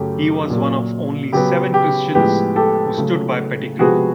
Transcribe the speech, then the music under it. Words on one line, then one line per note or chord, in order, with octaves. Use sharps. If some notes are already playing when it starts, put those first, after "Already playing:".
He was one of only seven Christians who stood by Pettigrew.
Already playing: F#2 C#3 F#3 A3 G4
A#2 F#3 A#3
C#3 F#3 B3 G4
G4
A2 F3 G#3 B3 G4
G4 A4
C#3 F#3 A3
C3 F3 G#3 B3 F#4 G#4